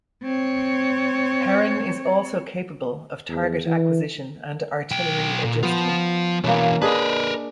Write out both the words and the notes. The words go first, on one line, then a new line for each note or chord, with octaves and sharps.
Heron is also capable of target acquisition and artillery adjustment.
C4 C#5
E2
E3
B1 G5
A#2
F3 B3 F4
B2 E3 A#3 C#4
D4 G#4 A#4 B4 D#5